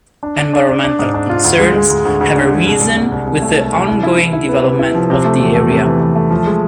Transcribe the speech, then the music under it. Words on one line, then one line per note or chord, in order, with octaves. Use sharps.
Environmental concerns have arisen with the ongoing development of the area.
D4
D4
D4
D4
D4
G#2
D4
F4
D2
G#3
G#3
D2
D2
D2
D3
G#3
C2
C2
C2
C2
C2
A3
C2
C2
E4
E4
E4
E4
B3
C3
E4
F3
C3
A3
E2
A3
C3
E3
E3
A3
F3
G#3